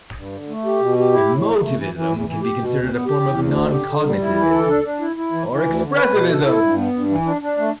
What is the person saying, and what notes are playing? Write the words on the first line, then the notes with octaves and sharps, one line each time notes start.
Emotivism can be considered a form of non-cognitivism or expressivism.
G2
D3
A3
G4
B2
G4
E4
A2
A3
A3
E3
E3
E2
E3
G4
B2
D2
B3
G4
E2
D2
D3
G4
D3
G3
E4
E3
A4
D4
D4
E4
E4
E3
E3
D2
D3
B4
B2
A4
E4
G2
B3
G2
E3
D4
D4
A3